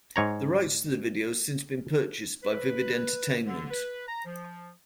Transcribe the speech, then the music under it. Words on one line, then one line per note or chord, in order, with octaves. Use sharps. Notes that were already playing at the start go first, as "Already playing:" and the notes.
The rights to the video has since been purchased by Vivid Entertainment.
G#2 C#5 A#5
B4
D3
B4
A#5
F3